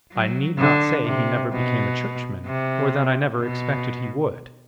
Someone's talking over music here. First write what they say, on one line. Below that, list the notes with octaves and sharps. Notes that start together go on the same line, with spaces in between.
I need not say he never became a churchman, or that I never expected he would.
F#3
D3
C3
B2
C3
B2